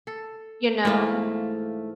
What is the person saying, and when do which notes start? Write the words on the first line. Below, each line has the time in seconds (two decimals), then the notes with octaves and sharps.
you know,
0.07 A4
0.85 G#2 E3 A3 A#3 F5